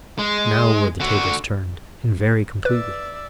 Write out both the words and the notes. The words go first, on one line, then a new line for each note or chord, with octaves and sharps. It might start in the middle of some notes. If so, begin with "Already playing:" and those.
Now were the tables turned, and very completely.
G#3
D3 F#4
B4 D5 E5